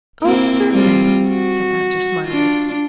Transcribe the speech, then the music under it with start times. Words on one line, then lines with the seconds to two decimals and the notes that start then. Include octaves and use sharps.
"Oh, certainly," said Esther, smiling.
0.22 A#3 C4 E4
0.71 G3 C4 F4
1.28 F#4
2.28 D4 F4